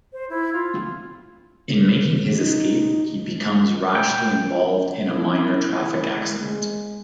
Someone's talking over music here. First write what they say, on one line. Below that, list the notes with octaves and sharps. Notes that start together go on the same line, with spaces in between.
In making his escape he becomes rashly involved in a minor traffic accident.
C5
E4
F4
D#4
G5
E4
G#3